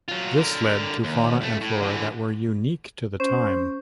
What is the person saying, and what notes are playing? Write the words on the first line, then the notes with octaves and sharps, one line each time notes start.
This led to fauna and flora that were unique to the time.
F#3 F4
D3 A#4
D#2
C#2 A3
A2
D3 E3
C#4 C5